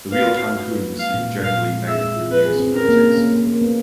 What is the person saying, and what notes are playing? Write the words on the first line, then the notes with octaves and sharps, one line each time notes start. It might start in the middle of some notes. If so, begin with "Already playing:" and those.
"The Real Cancun" received generally negative reviews from critics.
B4 F5
F#4
D#4
F#4
B4
A#3
G#3 F5
A#2
G#3
A#2 F5
C4
G#3
G#4 E5
G#3
F4
C4 B4
G#4
C4
C#4 A#4
A#3
C#4
A#3
A#3
A#3
B3